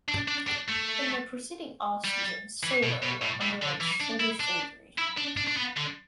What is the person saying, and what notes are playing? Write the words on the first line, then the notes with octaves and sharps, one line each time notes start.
In the proceeding off-season, Salo underwent shoulder surgery.
D4
D4
D4
A3
G3
E3
B2
B2
A2
A2
D3
E3
D4
E4
D4
E4
D4
D4
D4
B3
D3